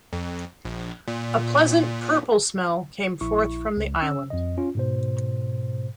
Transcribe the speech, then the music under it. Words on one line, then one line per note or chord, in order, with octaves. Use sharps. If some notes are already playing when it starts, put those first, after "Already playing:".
A pleasant "purple" smell came forth from the island.
F2
A#1
A#2
A#1 E4 C#6
C#2
C#4 E6
F2 D#5
C#4 F4
G#2 B2 C5